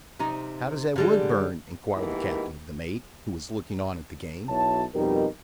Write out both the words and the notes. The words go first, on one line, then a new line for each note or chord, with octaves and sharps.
"How does that wood burn?" inquired the Captain of the mate, who was looking on at the game.
C3 D#4
D3 G3 G#3
B2 D#3 E3 G#3 A#3 G4
B1 E4 F#4 C#5 A5
F2 B2 G3 D#4 G4 A#4